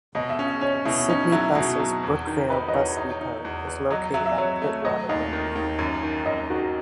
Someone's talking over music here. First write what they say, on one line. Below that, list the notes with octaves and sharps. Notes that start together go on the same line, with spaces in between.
Sydney Buses' Brookvale Bus Depot is located on Pittwater Road.
B2 D#5
E5
C#4
E5
C#4 C#5
B2 E4
C#4 D#4
F#3 E4
B2 F#4
F#3
E2
D#3
D#4 B4
D#5
E2 C#5
D#4
D#4
E2
E2
F#3 D#5
F#3 E5
E5
F#3 C#5
A3
F#3 D#5
D#2 D#5
D#3
D#2
F#2
D#3
F#2 D#5
D#3 F#4